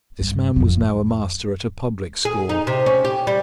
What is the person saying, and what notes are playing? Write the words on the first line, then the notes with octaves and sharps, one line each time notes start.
This man was now a master at a public school.
G2
F2 F3
G#4
D#4
C3
C#4
G4
G3